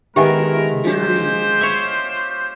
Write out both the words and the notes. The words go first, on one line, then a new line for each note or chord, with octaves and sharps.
he's very
D#3 G#3 B3 E4 G4 A#4 E5 G#5
D4 F4 G4 C5
C#5 E5